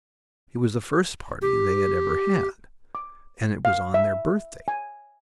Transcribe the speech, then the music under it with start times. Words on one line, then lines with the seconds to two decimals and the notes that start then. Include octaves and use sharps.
It was the first party they had ever had, and it was on their birthday.
1.42 G4
2.95 D6
3.65 F5
3.94 E5
4.68 G#5